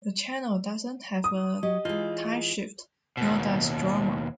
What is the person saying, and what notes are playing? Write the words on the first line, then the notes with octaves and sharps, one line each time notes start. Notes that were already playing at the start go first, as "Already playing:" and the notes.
The channel doesn't have a timeshift, nor does Drama.
D#6
F#3 G4 D#5
E3 G#3 F4 D#5
D#2 B2